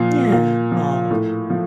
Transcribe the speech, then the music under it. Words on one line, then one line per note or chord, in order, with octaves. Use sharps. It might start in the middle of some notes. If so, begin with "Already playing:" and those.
Yeah, aw.
Already playing: A#2 F3 F5
A#2
F3
A2
F3